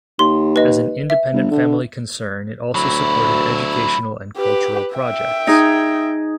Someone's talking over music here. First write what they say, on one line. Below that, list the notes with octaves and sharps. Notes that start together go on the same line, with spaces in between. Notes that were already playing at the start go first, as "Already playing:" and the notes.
As an independent family concern, it also supported educational and cultural projects.
D#2 C6
B4 D#5
E5
G1
D3
D2 F#3 E4 B5
G4 B4
E5 G5
D#4 G#4